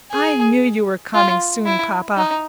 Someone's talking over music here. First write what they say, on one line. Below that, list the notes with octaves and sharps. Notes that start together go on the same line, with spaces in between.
"I knew you were coming soon, papa."
G#4
F4
E4
D#4